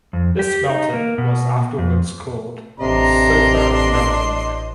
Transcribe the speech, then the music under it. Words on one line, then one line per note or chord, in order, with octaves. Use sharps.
This mountain was afterwards called Sofa Mountain.
F2
G4
D#4
A#3
B2
F2
A1 C3 D4 D#5 A#5 C6